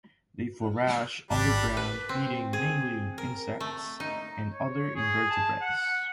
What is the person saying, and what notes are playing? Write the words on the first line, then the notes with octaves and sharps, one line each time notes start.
They forage on the ground feeding mainly on insects and other invertebrates.
G#1 G3 D4
B4
C4
G#4
A#4
A3
D#4
C#5
G#4
A5
F#5